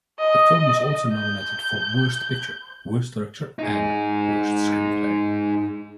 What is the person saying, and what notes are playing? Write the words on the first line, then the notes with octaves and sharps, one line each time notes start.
The film was also nominated for Worst Picture, Worst Director, and Worst Screenplay.
D#5
G6
D#4 G#4